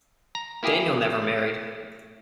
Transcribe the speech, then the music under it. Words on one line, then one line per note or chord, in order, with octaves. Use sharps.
Daniell never married.
A#5
A#3 E4 G4 G#4